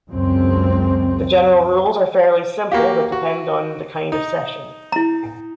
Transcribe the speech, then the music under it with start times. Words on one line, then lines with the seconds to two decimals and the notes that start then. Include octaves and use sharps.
The general rules are fairly simple, but depend on the kind of session.
0.10 C#2 F#2 C4
2.72 A#3 F#4 G4 F5
3.12 F#4
4.12 D#4
4.92 E4 A#5